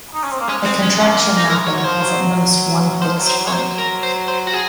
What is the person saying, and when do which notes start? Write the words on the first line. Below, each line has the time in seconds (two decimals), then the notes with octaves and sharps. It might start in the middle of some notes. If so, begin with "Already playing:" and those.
A contraction mapping has at most one fixed point.
0.14 D#4
0.24 C#4
0.31 C4
0.40 A#3
0.48 G#3 C#4
0.65 C4
0.82 C#4
0.99 A#3 C#4
1.37 D#4
1.50 G#3 A#4
1.67 F#3 C#5
1.78 C#5
1.84 F3 C5
2.01 F#3
3.01 F3 C5
3.19 F#3
3.27 C5
3.36 F#3
3.46 G#3 C#5
3.52 F#3 C5
3.78 A#4
4.03 C5
4.28 C5
4.47 F#4
4.53 G#4